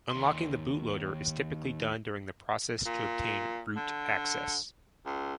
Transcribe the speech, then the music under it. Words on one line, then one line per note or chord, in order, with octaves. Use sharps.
Unlocking the bootloader is typically done during the process to obtain "root" access.
D#2 C6
A#2
D3
C#2